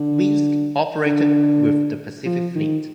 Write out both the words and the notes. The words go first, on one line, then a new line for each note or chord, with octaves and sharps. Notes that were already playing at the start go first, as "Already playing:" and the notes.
"Minsk" operated with the Pacific Fleet.
Already playing: D3
D3
F3
D#3